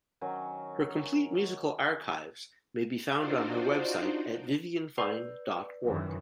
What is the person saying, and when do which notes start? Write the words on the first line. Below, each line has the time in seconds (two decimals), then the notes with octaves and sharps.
Her complete musical archives may be found on her website at vivianfine dot org.
0.21 D#3 F#3 C#4
3.16 D4 D#4 F4 F#4 C5 D5
4.98 B4 D5
5.84 F#2 D#3 E3